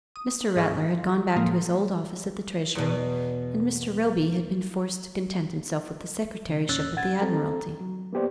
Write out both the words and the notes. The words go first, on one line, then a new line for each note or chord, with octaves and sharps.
Mr. Rattler had gone back to his old office at the Treasury and Mr. Roby had been forced to content himself with the Secretaryship at the Admiralty.
D#6
G#2 G#4 D#5 C#6 F6
F3
A2 F3 G#3 A#3
E2 B2
C#3
E2 A#2 C#4 E6 F#6 A6
F#5 G#6 A6
C4 A4 A#5
F#3
A#3 B3 G4 C5 D5